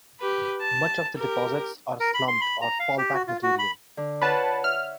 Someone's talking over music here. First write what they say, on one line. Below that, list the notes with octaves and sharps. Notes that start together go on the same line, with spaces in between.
Much of the deposits are slumped or fall-back material.
G4 B4
A5
G4 A#4
A#4
B5
C6
B5
A#5
F5
G4
F#4
F4
F#4
B5
D3
F4 B4 C#5 F#5 A5
E5 F6